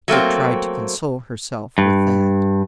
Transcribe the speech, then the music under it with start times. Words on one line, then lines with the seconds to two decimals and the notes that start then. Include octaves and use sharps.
Kate tried to console herself with that.
0.08 F#3 A3 A#3 C4
1.78 G2